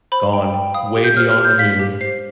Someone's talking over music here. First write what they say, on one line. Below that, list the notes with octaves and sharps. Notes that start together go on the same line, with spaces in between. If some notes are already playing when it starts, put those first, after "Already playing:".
gone way beyond the moon
C5 B5
G5
G5
F5 D#6
G4
G6
C5 F6
F6
G4
G6
F5 B6
G4
C5 C7